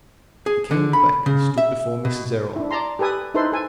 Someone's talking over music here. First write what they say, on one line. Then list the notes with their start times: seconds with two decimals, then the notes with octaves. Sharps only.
He came back and stood before Mrs. Errol.
0.46 G#4
0.71 D3
0.93 B5
1.26 C#3
1.58 E5
2.05 B2
2.56 D4 E4
2.71 D5 A5 A#5 C6
2.99 G4 A4 B4 G#5 D#6
3.34 D#4 E4 A4 B4 C5 C6
3.52 A4 G#5